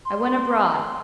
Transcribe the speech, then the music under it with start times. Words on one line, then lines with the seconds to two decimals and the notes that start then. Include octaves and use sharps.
I went abroad.
0.05 C6